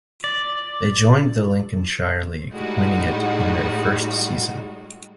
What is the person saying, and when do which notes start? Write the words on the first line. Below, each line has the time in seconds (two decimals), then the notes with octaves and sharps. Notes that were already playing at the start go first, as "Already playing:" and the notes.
They joined the Lincolnshire League, winning it in their first season.
0.24 D5
2.53 A2 G3 G#3 D#4 F#4